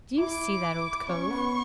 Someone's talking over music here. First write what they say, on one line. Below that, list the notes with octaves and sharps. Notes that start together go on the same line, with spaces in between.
"Do you see that old cove?"
E4 D6
C#4 C#6
B3